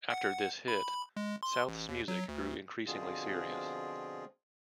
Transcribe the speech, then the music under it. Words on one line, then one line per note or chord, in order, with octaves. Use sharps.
After this hit, South's music grew increasingly serious.
F#5
B5
G#3
C6
A1
D#2
F#3
D2
B2 D3 F3 C4 F4 G#4